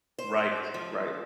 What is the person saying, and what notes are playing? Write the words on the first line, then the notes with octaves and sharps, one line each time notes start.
Right, right.
C5
F3